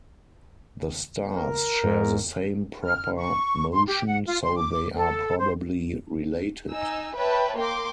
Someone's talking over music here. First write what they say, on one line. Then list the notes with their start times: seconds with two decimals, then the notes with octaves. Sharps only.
The stars share the same proper motion so they are probably related.
1.36 A#4
1.84 G#2
2.82 F6
3.17 C#6
3.72 C6
3.88 G4
4.07 F#5
4.26 F4
4.42 C6
4.56 D6
4.96 A4
5.38 C5
6.72 D#4 G#5 E6
7.15 B4 C#5 E5 G5 A5
7.56 A#3 G5 C6 D6